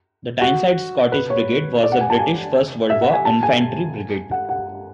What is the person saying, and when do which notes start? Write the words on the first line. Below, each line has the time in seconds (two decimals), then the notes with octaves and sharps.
The Tyneside Scottish Brigade was a British First World War infantry brigade.
0.41 F#4
1.12 B4
1.30 C#5
1.83 D5
1.92 F#5
2.01 G#5
2.10 A5
2.19 G#5
2.90 E5
3.02 F#5
3.13 G#5
3.25 A5
3.43 G#5
4.31 F#5
4.49 F#5